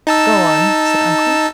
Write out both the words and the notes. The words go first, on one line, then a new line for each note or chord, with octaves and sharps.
"Go on," said uncle.
D#4 A5 E6